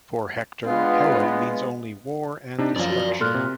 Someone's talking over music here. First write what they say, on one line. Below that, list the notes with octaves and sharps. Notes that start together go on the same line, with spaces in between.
For Hector, Helen means only war and destruction.
G#3 B3 D4 F4
C3 D4 D#4
F#2 F3 D5 F5
F#4
A#2 A4 C6 F6 F#6
C3